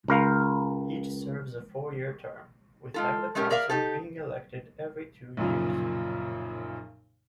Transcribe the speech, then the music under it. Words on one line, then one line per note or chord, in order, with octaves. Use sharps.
Each serves a four-year term, with half the council being elected every two years.
C#2 A#4 F5
G#3 F4 A4
G#3 A3 C#4 G4 A#4
G#4 A#4 D5 E5 F5
D#4 G4 A4
B1 F#2 A#2 C#3 F3